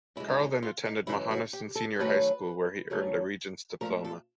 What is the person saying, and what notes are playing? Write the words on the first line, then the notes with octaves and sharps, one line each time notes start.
Carl then attended Mohonasen Senior High School where he earned a Regents diploma.
F#2 C#3 E3 G#3 E4
D4
D#4
F4
D#4
F#2 C#3 E3 G#3 E4
F#4
G4
A4
F#2 D#3 F#3 A3 B4
F#2 D#3 F#3 A3
A#2 F3 A3 A#4
A4